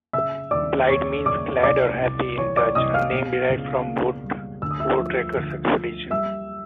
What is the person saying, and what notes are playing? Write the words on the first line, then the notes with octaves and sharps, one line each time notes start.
Blyde means "glad" or "happy" in Dutch, a name derived from a voortrekkers' expedition.
C#3 E5 E6
D#2 D5 D6
D#2 C#5 C#6
C#3 D5 D6
C2 D5 D6
C2
E3 C#5 C#6
D5 D6
C2 D#5 D#6
F5 F6
B2
C#2
A#3
G3
D2 E6
D#6
E5 E6
F3
D2
F3
G3 E5 E6